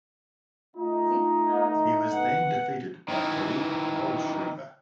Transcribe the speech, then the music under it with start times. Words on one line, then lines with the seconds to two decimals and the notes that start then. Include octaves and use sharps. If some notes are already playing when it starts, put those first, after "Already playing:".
He was then defeated by Philipp Kohlschreiber.
0.77 A3 D#4 F4
2.12 B3 F#5
3.09 D#3 E3